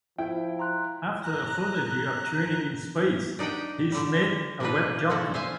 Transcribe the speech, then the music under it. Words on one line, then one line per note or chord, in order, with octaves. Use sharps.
After a further year of training in space he is made a web jockey.
F3 E4 G5
A#5 C6 F#6
A#5 F#6
D4 D#4 G4 F#5 G5
D3 G3
B2 A#3 C4 D4 D#4 B4
D3 G#3 F#4 A4
C5 E5 F5 G#5